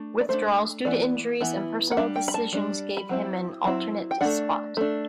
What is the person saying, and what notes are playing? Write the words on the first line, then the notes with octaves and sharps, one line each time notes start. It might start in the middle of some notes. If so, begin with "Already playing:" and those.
Withdrawals due to injuries and personal decisions gave him an alternate spot.
Already playing: A3 D4
D5
A3 D4 C5
E3 B3 E4 D5
E3 B3 E4
F#5
G3 D4 E5
G5
B5
A5
G3 D4
B5
F#3 C4 E4
F#3 C4 E4
G5
A3 D4 F#5
A3 D4